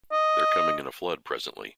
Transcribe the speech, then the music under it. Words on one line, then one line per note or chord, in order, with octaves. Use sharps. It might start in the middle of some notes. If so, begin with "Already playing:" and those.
They’re coming in a flood presently.
D#5